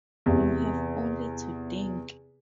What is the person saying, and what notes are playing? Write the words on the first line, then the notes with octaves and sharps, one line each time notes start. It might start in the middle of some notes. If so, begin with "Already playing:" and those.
You have only to think!
E2 C3